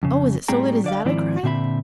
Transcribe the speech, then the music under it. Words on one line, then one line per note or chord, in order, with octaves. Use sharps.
"Oh, is it so late as that?" I cried.
F2 C#3
A2 G3 C4 G#4 G5 A#5
D3 D5 F5
G#2 D#3 F3 C4 E4 D5
A#2 D3 C4 E5 B5